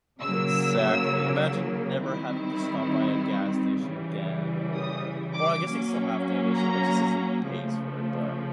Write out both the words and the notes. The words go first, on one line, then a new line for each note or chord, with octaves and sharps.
Exactly. Imagine never having to stop by a gas station again, or or I guess you still have to, I guess it just says it pays for it, but
C#3 F#3 A#3 E6
D#3 G3 C4 E4
C#3 E3 G3
D#6
D6
F#3 A#3 C#4
A#5
C#3 F3 A3